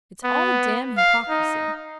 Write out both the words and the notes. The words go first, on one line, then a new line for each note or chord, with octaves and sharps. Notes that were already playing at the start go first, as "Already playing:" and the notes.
It's all damned hypocrisy.
B3
F5
D#4